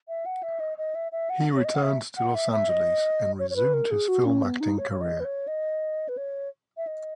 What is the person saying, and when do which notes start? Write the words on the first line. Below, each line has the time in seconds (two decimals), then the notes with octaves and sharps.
He returned to Los Angeles and resumed his film acting career.
0.08 E5
0.26 F#5
0.43 E5
0.60 D#5
0.78 D#5
0.95 E5
1.12 E5
1.30 F#5
1.55 C#5
1.65 D#5
1.75 F#5
1.82 E5
2.17 F#5
2.35 E5
2.52 E5
2.69 D#5
3.39 C#5
3.50 C#5
3.56 B4
3.74 A#4
3.91 G#4
4.08 F#4
4.26 C#4
4.43 B3
4.61 D#4
4.78 C#5
4.92 C#5
5.01 D#5
5.20 B4
5.24 C#5
5.47 D#5
6.09 B4
6.17 C#5
6.77 E5
6.87 D#5